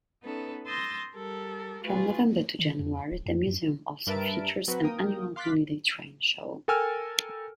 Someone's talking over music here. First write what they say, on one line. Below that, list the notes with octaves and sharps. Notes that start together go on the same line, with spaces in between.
From November to January, the museum also features an annual holiday train show.
B3 C#4 D#4 A4 B4
C6 D#6 E6 G6 A6 A#6
G3 G4 A4 A#4
A3 F4 F#4 G#4 B4
D#3
F2
D1
F2
F#2
G2 A#4 B4 E5 A5 D7
F#3 C4 F#4 B4
A#3 A#4 G5 D#6
F5 C6 D6 F#6 A6 B6
A4 A#4 G5 G#5 E6 F6